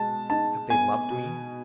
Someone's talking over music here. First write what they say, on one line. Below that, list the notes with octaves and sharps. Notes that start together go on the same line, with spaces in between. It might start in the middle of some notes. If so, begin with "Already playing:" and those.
Have they loved me?
Already playing: B2 G#3 A5
D#4 A5
B3 G#5
B2